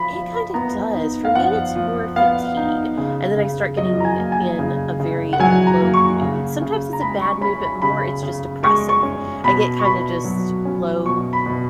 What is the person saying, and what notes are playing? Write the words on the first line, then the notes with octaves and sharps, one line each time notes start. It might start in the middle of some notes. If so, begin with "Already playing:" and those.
It kinda does. For me, it's more fatigue, and then I start getting in a very low mood. Sometimes it's a bad mood, but more it's just depressive. I get kinda just low
Already playing: F3 B5
F3
B5
B3 A#5
D#4
F5
F3 F#5
F3
B3 F5
D#4
C#3
C#3
F#3 D#5
A#5
G#5
A#3
G#5
C#3
C#3
F#5
F#3 G#5
A#5
A#3
C#6
C#3
C#3
A#5
G#3 B5
C#6
C#4 B5
B5
C#3 B5
C#3
G#3 C#6
C#6
C#4
B2 B5
C#6
B2 B5
F#3
C#4
B2 C#6
B5
B2